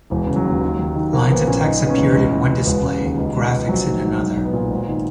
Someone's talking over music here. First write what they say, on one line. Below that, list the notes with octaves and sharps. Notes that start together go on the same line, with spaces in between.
Lines of text appeared in one display, graphics in another.
E1 E3
C#3
F#3
D#2
D#2
D#2
D#3
A#1 A#3
A#1 B3
A#2 C#4
F#1 D#4
C#3 B3
C#4
E2
C#2
E3
C#3
E1 B3
C#3
D#2
C#2
C#2
B2
A#1 F#3
D#3
G#2
B1
B1
B3
A#2
G#1
D#3